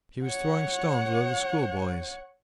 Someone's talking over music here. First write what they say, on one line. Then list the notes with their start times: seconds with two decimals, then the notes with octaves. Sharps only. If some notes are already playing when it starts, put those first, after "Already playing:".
He was throwing stones with other schoolboys.
0.25 C#5 F#5